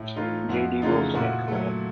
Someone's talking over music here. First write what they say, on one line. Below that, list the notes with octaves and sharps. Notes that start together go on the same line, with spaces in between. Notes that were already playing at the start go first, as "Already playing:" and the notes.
J. D. Wilson in command.
Already playing: A2 E4
E3 A3 D#4 F4
F2 E4 F#4
C#3 E3 A3 D#4 F4
A#2 E4 F#4
F#3 A3